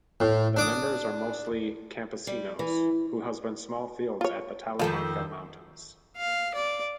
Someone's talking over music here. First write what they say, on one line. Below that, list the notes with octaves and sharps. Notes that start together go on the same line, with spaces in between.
The members are mostly campesinos, who husband small fields at the Talamanca mountains.
A2
D4 D6 D#6
G3
E3
F4 C#5
F2 D#3 F3 F4 A4
F5
D5